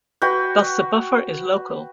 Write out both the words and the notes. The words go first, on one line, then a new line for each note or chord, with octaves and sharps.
Thus the buffer is local.
F#4 B4 G5